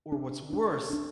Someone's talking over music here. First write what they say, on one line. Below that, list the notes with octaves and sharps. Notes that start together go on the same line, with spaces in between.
or what's worse,
D4
D4
D4